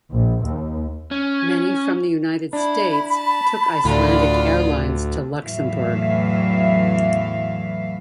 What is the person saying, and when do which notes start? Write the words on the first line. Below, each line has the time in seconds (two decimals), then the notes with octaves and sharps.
Many from the United States took Icelandic Airlines to Luxembourg.
0.11 A#1
0.43 D#2
1.11 C#4
2.53 D4 E4 B5
3.14 A5
3.85 D2 A2 F4 D5
5.45 E2 A2 E3 F#3 E5 F5